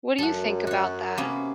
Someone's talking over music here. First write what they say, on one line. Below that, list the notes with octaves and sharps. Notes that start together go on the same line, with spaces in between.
What do you think about that?
F#2 A4 F#5
F#4 C#5
C3 A#3 B3 C#4